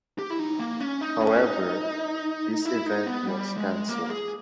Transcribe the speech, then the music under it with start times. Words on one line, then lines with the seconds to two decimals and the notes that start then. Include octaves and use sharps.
However, this event was cancelled.
0.19 G4
0.30 E4
0.39 D#4
0.59 A#3
0.80 C#4
1.01 D#4
1.21 C#4
1.42 D#4
2.65 E4
2.86 D#4
3.06 B3
3.27 G3
3.58 G#3
3.89 A#3
4.09 G#4